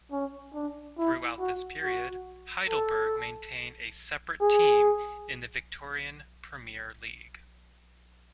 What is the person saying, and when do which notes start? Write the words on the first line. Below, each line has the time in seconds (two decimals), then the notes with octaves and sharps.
Throughout this period, Heidelberg maintained a separate team in the Victorian Premier League.
0.12 C#4
0.54 D4
0.98 E4
1.40 F#4
1.83 F#4
2.70 A4
4.41 G#4